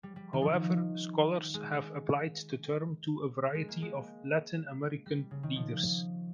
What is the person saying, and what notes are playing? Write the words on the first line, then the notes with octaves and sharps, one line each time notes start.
However, scholars have applied the term to a variety of Latin American leaders.
G3
G3
D#3
F3
D#3
G#3
G#3
A#3
G#3
G3
C#3
D#3
F3